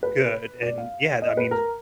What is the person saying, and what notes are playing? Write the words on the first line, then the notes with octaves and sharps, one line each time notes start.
good, and, yeah, that means
B4
D5
F5
D#5
B4
A#4